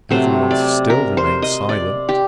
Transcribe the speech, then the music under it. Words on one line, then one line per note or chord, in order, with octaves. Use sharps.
Every one still remained silent.
C3 F#3 A3 C5
D5
A#4
C5
D#5
D5
G4